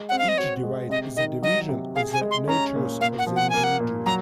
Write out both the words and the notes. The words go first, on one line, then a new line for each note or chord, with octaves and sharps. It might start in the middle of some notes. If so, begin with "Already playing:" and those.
Each divide is a division of the natures of the individual.
Already playing: G#3
C4 F#5
F5
D#5
F#4 C#5
G#3
C3 D#5
D#3 D#5
F#3 D#5
C3
G#4 F5
G#5
G#3
C6
C#4 A#5
A#2
A#2 F5
F#5
F3
F#5
A#3 G#5
F#5
A#2
F#3 A#5